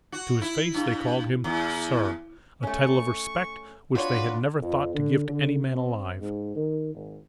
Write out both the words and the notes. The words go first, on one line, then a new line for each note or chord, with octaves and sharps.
To his face they called him 'sir,' a title of respect which they had never thought to give to any man alive.
F#4
E4
G2
E2
A3 C#4 C#6
D4 F4 F#4 B4 C#5 D5
F2
D3
D3
C4
G#2
D#3
G#1